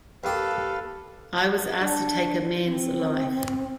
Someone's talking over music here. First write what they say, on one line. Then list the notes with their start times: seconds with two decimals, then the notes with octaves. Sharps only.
I was asked to take a man's life.
0.24 D#2 G4 A4 B4 F5
1.81 A3 D4
2.64 C4